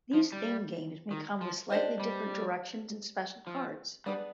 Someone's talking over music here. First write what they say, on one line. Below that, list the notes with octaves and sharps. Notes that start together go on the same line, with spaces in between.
These theme games may come with slightly different directions and special cards.
F3
G3
D#3
F3
D4 G4 C5 D#5
G3
F3
G3 B3 D4 G#4 B4